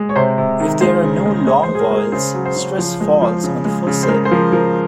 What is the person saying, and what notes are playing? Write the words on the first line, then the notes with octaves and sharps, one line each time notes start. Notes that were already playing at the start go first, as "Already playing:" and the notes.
If there are no long vowels, stress falls on the first syllable.
Already playing: G#3
C#5
C3 C5
C3
D#3
G#3 C5
C#3
G#3
G#3 C#5
C5
G#3
G#4
A#4
G#3
G#4
C#3 C5
F#3
C5
C#3
F3
G#3
F3
C#3
G#3
C#3
C5
G#3 A#4
C5
F3 A#4
F3 A#4